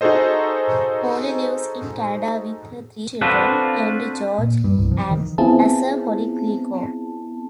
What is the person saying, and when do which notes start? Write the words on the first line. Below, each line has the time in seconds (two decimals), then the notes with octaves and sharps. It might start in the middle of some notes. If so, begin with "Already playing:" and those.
Holly lives in Canada with her three children; Henry, George, and Azer Holly-Greco.
0.01 D#4 F#4 G#4 A4 C5 D#5
3.21 C4 D4 F4 F#4 A4 B4
4.38 A#2
4.64 G2
4.79 C2
4.91 F3
5.11 D#3
5.38 B3 C4 E4 F4 G#4 A5